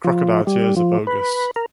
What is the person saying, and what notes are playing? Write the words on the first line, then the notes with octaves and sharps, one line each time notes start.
Crocodile tears are bogus.
F3
G3
F3
B4
A#4